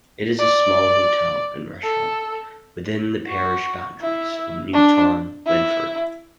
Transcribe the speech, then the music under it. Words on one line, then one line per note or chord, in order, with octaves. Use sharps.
It is a small hotel and restaurant, within the parish boundaries of Newtown Linford.
D5
A4
F#4
E4
D4
E4